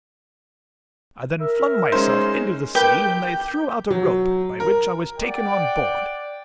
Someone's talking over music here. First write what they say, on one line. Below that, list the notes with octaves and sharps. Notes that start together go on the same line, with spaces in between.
I then flung myself into the sea, and they threw out a rope, by which I was taken on board.
A#4 E5
G#3 C#4 D#4 C5
G4 A#4 B4 G6
F#3
A#4
D5 F#5 G5